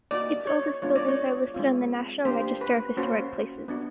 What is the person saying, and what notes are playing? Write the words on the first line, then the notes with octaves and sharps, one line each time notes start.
Its oldest buildings are listed on the National Register of Historic Places.
A#3 D#4 F#4 D5
C#5
G#3 B3 D4 F4 C#5
D5
C#5
G#3 C4 F4
A#3 D4 G4 C5
B4
A#3 C#4 F#4 C5
B3 D4 F#4